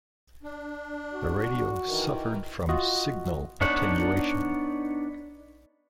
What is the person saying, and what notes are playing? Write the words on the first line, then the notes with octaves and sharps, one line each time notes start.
The radio suffered from signal attenuation.
D4
F#4
D#3 E3
F4 F#4 D#5
B3 D4 D#4 C#5 F#5